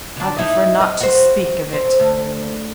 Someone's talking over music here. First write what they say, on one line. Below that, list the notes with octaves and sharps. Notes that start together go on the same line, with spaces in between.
I prefer not to speak of it.'
D3 D4
D#4 E4 D#5
D#5
F#4 C5
C4
D2